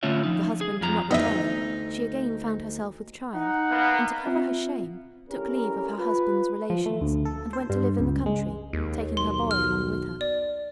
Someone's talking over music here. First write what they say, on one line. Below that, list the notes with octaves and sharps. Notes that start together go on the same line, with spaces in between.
The husband not returning, she again found herself with child, and to cover her shame, took leave of her husband's relations, and went to live in the country, taking her boy along with her.
D3 A3 C#4 F4 C#5 E5
F3 D#4
G#4
F2 F3 A#5
D2 B3 D#4 D#5 E5
D#4 F#5
A#3 B3
C4 F4 E5
C2 A2 C#4 G4 A#4
F4 B4
F3
A3
D2
A4
C5
G2
C#2
G#3
D#2
B1 C6
F6
D5